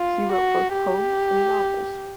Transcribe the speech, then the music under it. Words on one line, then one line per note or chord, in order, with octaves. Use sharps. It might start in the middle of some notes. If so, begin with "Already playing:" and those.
He wrote both poems and novels.
Already playing: F4
F#4
G4